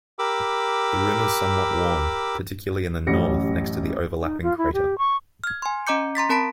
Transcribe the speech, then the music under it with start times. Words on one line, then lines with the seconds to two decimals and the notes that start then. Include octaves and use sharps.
The rim is somewhat worn, particularly in the north next to the overlapping crater.
0.19 G4 A#4 B5 D6 E6
3.07 A1 F#2 G4 A#6 C#7
4.22 D#4
4.43 F4
4.57 E4
4.73 G4
4.98 C#6
5.44 F6 G#6
5.62 G#5 C6
5.87 C#4 D#5 A#5 D6 G6 C#7
6.15 A#5 C6 A6 B6
6.29 C4 A#4 A5 B5 B6 D7